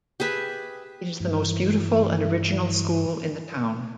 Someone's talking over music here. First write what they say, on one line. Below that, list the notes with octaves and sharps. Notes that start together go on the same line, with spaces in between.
It is the most beautiful and original school in the town.
G4 G#4 B4 E5
G2 E3